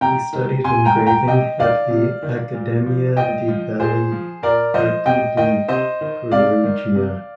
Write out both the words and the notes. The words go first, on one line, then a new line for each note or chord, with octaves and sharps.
He studied engraving at the Accademia di Belle Arti di Perugia.
C3 G5 A#5
D#3
C3 G#5 C6
G5 A#5
D#3
G5 A#5
C3 D#5 G5
D#3 D5 F5
C3
D#3
A#2
F3
A#2 D#5 G5
F3
A#2 G#4 C5
F3
A#2 A#4 D5
F3 C5 D#5
C3 D#5 G5
D#3 D#5 G5
C3 C5 D#5
D#3
C3 D5 F5
D#3
C3